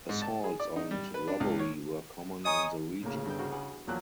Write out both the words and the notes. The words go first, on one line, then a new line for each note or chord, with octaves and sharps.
Assaults and robbery were common in the region.
G#2
A5
G#4
D5
D#4
G3
B4
D4
C#2
C#5
C#5 D#5 G#5 A#5 D#6
A2 C#3 A#3
G2 D3 B3 E4 G5
A#3 F#4 C5
B3 G#4
E2 F3 F#3 A#3 C4 D5 F#6